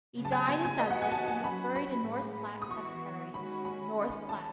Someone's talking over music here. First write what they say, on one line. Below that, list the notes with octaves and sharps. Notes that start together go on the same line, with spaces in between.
He died in Douglas, and was buried in North Platte Cemetery, North Platte.
C#3 F#3 B3
A5
G#5
G#5
G#5
F#3 B3 F#4 D#5
F#5
G#5
A5
A5
F#3 C#4 F#4 B5
B5
A2 G#3 B3
D#6
E3 B3 F#4 C#6
D#3 G#3 C#4 F#4 B5
B5
D#3 G#3 C#4
A5